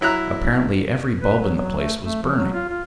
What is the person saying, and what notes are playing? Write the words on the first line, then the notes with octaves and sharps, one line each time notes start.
Apparently every bulb in the place was burning.
F#3 E4 A#5 F#6
B4
F#3
F#3
A3
A3
F3
F#3
F4
F4